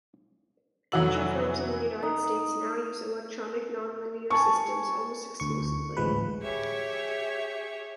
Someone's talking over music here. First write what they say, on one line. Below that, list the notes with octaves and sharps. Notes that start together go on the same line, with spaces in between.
Feature films in the United States now use electronic non-linear systems almost exclusively.
F1 E3 F#3 F#4 E6 F#7
D#4
G#5 A5 C#6
D2 C#6
A1 D2 G#2 F3 G#3 B4
G4 G#4 C#5 E5 C#6